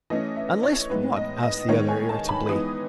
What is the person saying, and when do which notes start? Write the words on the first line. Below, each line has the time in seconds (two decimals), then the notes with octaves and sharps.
"Unless what?" asked the other, irritably.
0.10 E3 A3 C#4 D#5
0.36 E5
0.63 C#5
0.90 A2 G#3 B3 D#4 B4
1.17 D#5
1.43 D#5
1.69 D#3 G#3 B3 D#4 C#5
1.88 G#5
2.09 A5
2.29 B5
2.49 E3 G#3 B3 D#4 D#6